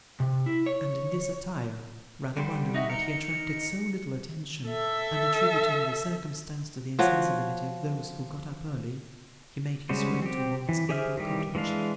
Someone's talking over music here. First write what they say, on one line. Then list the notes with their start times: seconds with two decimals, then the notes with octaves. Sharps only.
And in this attire, rather wondering that he attracted so little attention, and attributing the circumstance to the insensibility of those who got up early, he made his way towards Abel Cottage.
0.20 C3
0.46 E4
0.66 C#5
2.37 D3 G3 C5
2.74 D#4 F#4 E5
2.90 D#4 A#4 C#7
4.68 A4 E5
6.99 F3 F#4 C#5
9.89 C#3 G3 G#3 F#4 C5
10.22 C4 G4
10.69 E3
10.89 G4 G#4 C5 E5 F6
11.17 D#3 E3 G3 G4
11.55 E3 G#3 D4 F5